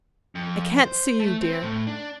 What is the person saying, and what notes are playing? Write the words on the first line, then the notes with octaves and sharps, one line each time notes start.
I can't see you, dear!
F2
C5
A3
C4
A2
D4